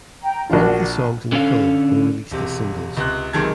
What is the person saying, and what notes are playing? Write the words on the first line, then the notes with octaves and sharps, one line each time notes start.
All the songs in the film were released as singles.
G5 A#5
A#1 D4 F4 F#4
D3 C#4 A4 F5
E1 C3
C#2 C3 C6 F#6
B1 C3 D#3 G#3 A5 G#6